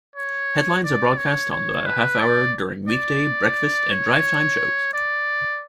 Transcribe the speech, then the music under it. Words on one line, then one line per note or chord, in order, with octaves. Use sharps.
Headlines are broadcast on the half-hour during weekday breakfast and drivetime shows.
C#5
D5
C#5
C#5
B4
D5
D5
C#5
D5